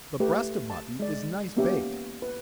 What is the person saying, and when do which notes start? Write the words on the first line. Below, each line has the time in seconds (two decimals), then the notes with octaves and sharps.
The breast of mutton is nice baked.
0.20 A3 G4 B4
0.70 A5
1.00 G#3 D5
1.57 A#3 B3 C#4 G4 E5
2.22 B4